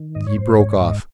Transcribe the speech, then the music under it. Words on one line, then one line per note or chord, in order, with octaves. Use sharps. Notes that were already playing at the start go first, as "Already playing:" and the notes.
He broke off.
Already playing: D#3
G#2 D#5
C#5
G#2 C5
G#2 C#5
G#2 D#5